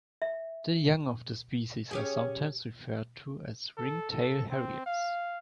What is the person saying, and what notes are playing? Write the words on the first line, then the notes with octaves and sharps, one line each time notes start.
The young of the species are sometimes referred to as ring-tail harriers.
E5
C#4 G4 G#4
A4
A4
C4
F5